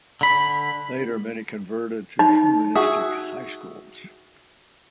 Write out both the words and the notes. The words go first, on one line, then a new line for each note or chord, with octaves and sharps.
Later many converted to humanistic high schools.
D3 B5
D#4
F#4 G#4 E5